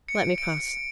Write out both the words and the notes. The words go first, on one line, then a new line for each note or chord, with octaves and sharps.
Let me pass.
C#7
D7
D7